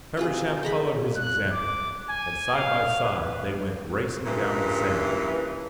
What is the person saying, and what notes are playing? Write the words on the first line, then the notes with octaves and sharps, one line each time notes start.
Feversham followed his example, and side by side they went racing down the sand.
C3 F#3 F4 G#4
G#4 A4 A#5 B5
F#6
D6
G#5
F5
B4
G2 A#2 C#3 E3